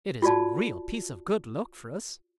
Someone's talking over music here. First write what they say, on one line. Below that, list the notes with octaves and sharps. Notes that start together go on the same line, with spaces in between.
It is a real piece of good luck for us.
F4 F#4 D5 A5